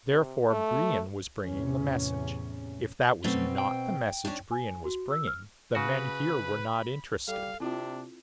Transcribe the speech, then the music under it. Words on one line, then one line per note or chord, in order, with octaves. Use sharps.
Therefore Brion was bringing the message. If that was not the message Brion was bringing the men here were not interested.
C3
A3
E2 A2 C3 C#4
B2 F#3 A3 C4 C#4
G5
C#4 D4
G#5
F#4
E6
F6
C#3 F#4 B4 B5
G3 A4 F5
C3 C4 D4 E4 F4